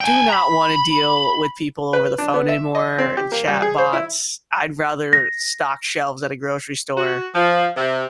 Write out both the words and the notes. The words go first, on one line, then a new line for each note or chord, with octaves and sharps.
do not wanna deal with people over the phone anymore chatbots, I'd rather stock shelves at a grocery store.
G5 G#5
A#5 B5
B4
D4
B3
E5
D#5
C4
G4
A#3
G3
G#4
C5
E4
A#6
F#4
F3
C3